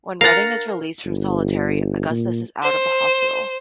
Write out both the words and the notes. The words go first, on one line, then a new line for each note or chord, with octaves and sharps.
When Redding is released from solitary, Augustus is out of the hospital.
A#4 F5 F#5 A#5 A6 A#6
G1
A#2
C5